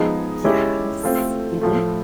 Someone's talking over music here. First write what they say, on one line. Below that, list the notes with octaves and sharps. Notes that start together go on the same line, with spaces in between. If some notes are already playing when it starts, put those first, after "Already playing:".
Yes. Mhm.
Already playing: F3 G#3 B3 D#4 G#4
G#3 C#4 E4 G4
A3 C4 F4 A4
A2 F3 A3